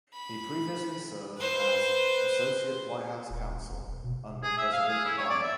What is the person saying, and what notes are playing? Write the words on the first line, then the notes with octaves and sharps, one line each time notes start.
He previously served as Associate White House Counsel under President Obama.
B5
B4 C5
D#1
F1
E1
B2
G#4
E5
F5
G#4
E4
C#5
D5
E5